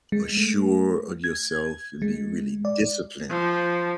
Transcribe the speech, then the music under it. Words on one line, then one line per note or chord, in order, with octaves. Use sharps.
uh, sure of yourself and be really disciplined,
G#3
A3
G#6
G#3
D5
F3